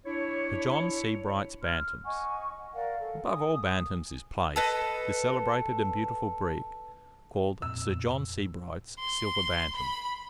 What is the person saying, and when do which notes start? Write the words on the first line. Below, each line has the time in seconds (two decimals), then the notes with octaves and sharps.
SIR JOHN SEBRIGHT'S BANTAMS.--Above all Bantams is placed, the celebrated and beautiful breed called Sir John Sebright's Silver Bantams.
0.06 D4 E4 C#5
1.61 C6 F6
2.04 D#5 F#5 G#5 C#6
2.73 A#4 D5 F5 F#5
2.98 A4
3.27 G#5 D#6
4.56 A4 B4 D#5
7.62 F2 A#2 E6
9.00 C6
9.75 B5